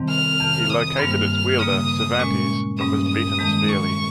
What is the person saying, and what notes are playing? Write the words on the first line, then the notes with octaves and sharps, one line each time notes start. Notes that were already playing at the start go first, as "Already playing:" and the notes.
He located its wielder, Cervantes, but was beaten severely.
Already playing: F2 C3 D#3 G3 C4
F6
F2 C3 D#3
D#6
G2 G3 A#3 F6
C#3 G3 A#3 D#6
A#2 G#3 C#4 C#6
G2 G3 A#3 C#4 D#6
D#6
F2 D#3 G#3
C#6